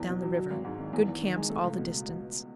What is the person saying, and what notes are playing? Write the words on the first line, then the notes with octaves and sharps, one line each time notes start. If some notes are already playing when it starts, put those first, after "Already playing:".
Down the River.--Good camps all the distance.
Already playing: E2
B2
F#3
F#3
G#1
G#2
D#3
E2
E2
D#3
G#3
A3
C#2
B2